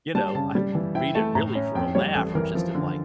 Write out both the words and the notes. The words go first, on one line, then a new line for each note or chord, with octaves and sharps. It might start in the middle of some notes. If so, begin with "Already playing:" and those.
you know, I read it really for a laugh or just I'm, like,
G3 A5
C#3 A5
G3
E3
E4 G5
A3 A5
A2 A#5
C#4
F2 G5
G3 C#5
A1 A4
E3 A#4
F3
D3